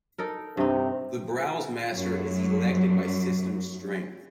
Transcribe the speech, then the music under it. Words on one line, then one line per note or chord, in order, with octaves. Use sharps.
The browse-master is elected by system strength.
D#4 A4 A#4
G2 C3 D#4
F#2 F#3